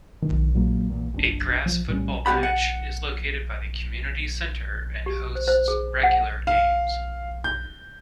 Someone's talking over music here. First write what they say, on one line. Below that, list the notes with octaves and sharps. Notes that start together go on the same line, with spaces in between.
A grass football pitch is located by the community centre and hosts regular games.
D#3
A#2 F#3 G#3 A#3
E2 A#2
F#1 D4
F3
A2 G3 C#4
C2 B2 G4 F#5 B5
F#5
G4
C5
C5
G#4
F#5
F5
G6